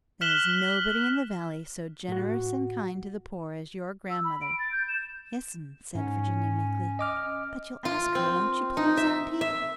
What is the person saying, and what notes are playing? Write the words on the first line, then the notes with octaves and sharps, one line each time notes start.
"There is nobody in the valley so generous and kind to the poor as your grandmother." "Yes'm," said Virginia, meekly, "but you'll ask her, won't you please, auntie?"
F6 F#6 B6 E7 F#7 G7
A2 F#4
E6
B5
D7
A6
G6
E7
G#2 C#4
D#5 D6 F6
F4
C4
D#4
E5
E5